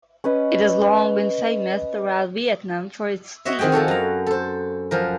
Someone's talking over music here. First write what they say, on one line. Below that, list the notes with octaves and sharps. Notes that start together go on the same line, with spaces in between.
It has long been famous throughout Vietnam for its tea.
C#4 B4 D#5
F#4 C#5 D#5 E5
D#3 C4 G#4 D#5 G5
F3 F#4 A4 C#5
F#2 A#5
A4 C5
F#2 F3 A#4